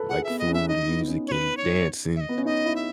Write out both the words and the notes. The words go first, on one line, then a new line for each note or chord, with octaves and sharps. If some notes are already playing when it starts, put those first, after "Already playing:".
like food, music, and dancing.
Already playing: A4 B4
G#4 F#5
E5
B3
D#5
C#4
E5
D#4 D#5
B3
D#4
C#4
C#5
B4
C#5
E5
D#5
B3
C#4
D#4 D#5
E4
E5